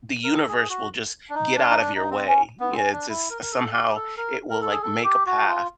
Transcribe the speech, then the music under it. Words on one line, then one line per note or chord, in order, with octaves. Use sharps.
the universe will just get out of your way. It just somehow it will, like, make a path.
A#4
A4
G#4
F#4
D4
D#4
D4
D#4
D4
D#4
C4
C#4
B3
C4
C#4
D4
E4
A#4
A#4
A4
G4
A4
A#4
A#4
A4
G#4
A4
G4
F#4
F4